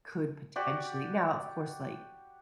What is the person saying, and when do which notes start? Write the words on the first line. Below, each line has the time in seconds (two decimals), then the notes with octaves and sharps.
could potentially now, of course, like,
0.56 F#4 G4 D5